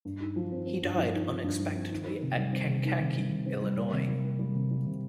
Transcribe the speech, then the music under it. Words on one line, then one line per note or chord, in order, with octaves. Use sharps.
He died unexpectedly at Kankakee, Illinois.
G2
D#4
F3
C4
C4
G2
F3
D#4
C4
G2
F3
C4
D#3
D#3
C3
G3
C4
C3
D#3
C3
G3
C3
C4
G3
A#3
C3
G3
A#3
G3
C3
G3
C3